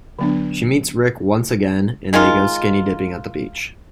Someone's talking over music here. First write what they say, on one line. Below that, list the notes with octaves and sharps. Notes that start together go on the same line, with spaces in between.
She meets Ric once again and they go skinny dipping at the beach.
D3 F#3 B3 D4
D#3 G#3 D#4 F4